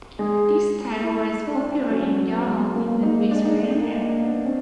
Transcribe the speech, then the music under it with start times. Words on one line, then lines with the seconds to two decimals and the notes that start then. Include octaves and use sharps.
This style was popular in Europe in the Victorian era.
0.19 G#3 G#4
1.04 E4
1.47 D4
1.90 F#3 C#4
2.18 F#3
2.32 B3
2.47 G#3
2.74 A#3
3.03 A#3 D#4
3.31 G#3 D4
3.45 D#4
3.58 A3 D4
3.70 D#4
3.81 A#3 D4
3.96 D#4
4.03 A#3
4.09 D4
4.24 B3
4.46 C4 C#4